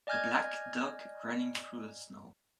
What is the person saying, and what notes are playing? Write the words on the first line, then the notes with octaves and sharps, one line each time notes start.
A black dog running through the snow.
D5 D#5 G#5 F6 G6 G#6